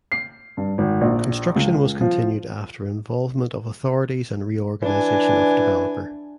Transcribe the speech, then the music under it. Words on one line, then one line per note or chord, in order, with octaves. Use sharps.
Construction was continued after involvement of authorities and reorganization of developer.
C7
G2
G#1
A#1
C#2
F3
E3 D4 G#5